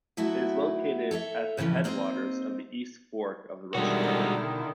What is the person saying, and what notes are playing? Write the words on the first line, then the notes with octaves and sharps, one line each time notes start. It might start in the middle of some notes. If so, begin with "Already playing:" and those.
It is located at the headwaters of the East Fork of the Russian River.
F#3 A3 B3 E4 F#4
A4 C#5 D5 E5
A2 C#3 E3 F3 C#4
A#3 C4 D#4 C5
B2 D3 D#3 G3 G#3 E4 F#4